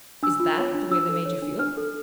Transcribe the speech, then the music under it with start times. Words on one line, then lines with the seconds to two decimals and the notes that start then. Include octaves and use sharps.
"Is THAT the way they made you feel?"
0.23 D4 E6
0.40 F4
0.57 C#5
0.74 D4
0.91 D4 E6
1.09 A4
1.26 C#5
1.42 D4
1.59 D4 F6
1.78 A4